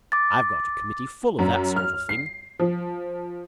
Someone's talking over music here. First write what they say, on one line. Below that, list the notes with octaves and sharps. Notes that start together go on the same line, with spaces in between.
I've got a Committee full of that sort of thing.
D6 A6
F#2
F6
C7
F3